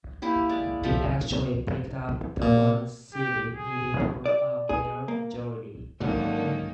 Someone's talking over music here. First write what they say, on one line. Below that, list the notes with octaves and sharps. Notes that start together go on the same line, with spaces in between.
It actually picked up the one seat it needed for a bare majority.
A#3 E4 G4
G#3 D5
F3 G4 A4 E5
A#2
G4
G#4
D5
G#4
A#3
G#2 D3 D#3 F#3 A#3 C#4